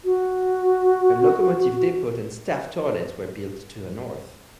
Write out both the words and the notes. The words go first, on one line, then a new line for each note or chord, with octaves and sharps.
A locomotive depot and staff toilets were built to the north.
F#4